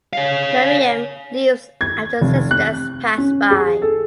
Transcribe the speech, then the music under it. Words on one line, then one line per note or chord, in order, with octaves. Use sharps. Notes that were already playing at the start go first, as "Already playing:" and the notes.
Maryam leaves after the sisters pass by.
C#5 F5
G#6
F1
F#6
C#4
G#4
A4